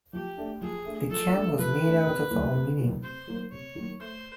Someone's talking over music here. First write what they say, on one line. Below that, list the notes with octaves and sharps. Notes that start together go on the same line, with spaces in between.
The can was made out of aluminium.
F3 G4
A3 D4
F3 G#4
A3 D4
F3 A4
A3 D4
F3 B4
A3 D4
C3
D#3 F#3 A#3
C3
D#3 F#3 A#3
C3 C5
D#3 F#3 A#3
C3 C#5
D#3 F#3 A#3
A3 C5